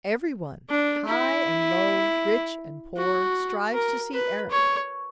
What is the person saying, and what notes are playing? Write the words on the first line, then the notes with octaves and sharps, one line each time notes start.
Every one, high and low, rich and poor, strives to see Erec.
D4
E4
F#4
A#4
B4
C#5